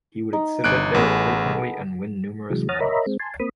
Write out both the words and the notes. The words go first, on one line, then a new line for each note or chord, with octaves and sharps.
He would exhibit there frequently and win numerous medals.
D#4
G1 F#6 D7
A1 B3 G#4 A4
C3 E3 F#3 G#3
C#5 F#5 A#5 D#6 F6 A6
A#4 C#5 D#5 E5 A#5 B5
G#3 C4
G#5 A5 C6
A#3 C4 B5 D#6